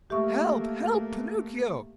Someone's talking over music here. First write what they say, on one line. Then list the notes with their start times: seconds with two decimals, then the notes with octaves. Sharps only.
"Help, help, Pinocchio!"
0.10 A3 A#3 G4 E5 C#6